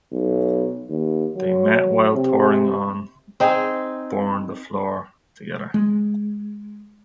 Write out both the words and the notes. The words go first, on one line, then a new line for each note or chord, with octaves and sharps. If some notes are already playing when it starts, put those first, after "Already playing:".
They met while touring on "Burn the Floor" together.
B1
D#2
F#3
C3
C4 D#4 G#4
G#3